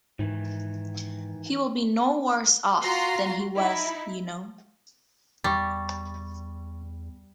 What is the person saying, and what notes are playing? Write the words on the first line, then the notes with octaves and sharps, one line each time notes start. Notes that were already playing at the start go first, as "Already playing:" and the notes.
He will be no worse off than he was, you know.
G#2 D#3 E3
F4 F#4 A#5 C6
D#4 E4
E2 G3 C#6 A6